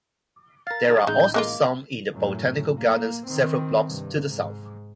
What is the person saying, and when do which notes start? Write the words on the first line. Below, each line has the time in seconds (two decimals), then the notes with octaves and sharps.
There are also some in the Botanical Gardens several blocks to the south.
0.67 A#4 F5 A6
0.88 D#4 G#4 A4
1.07 A1 G#3 D#4 G6
1.34 G#3 A#3 F4 D6
2.14 F#2 A2
2.78 A#3
3.28 D#3 C4
3.85 G2 C3
4.27 G#2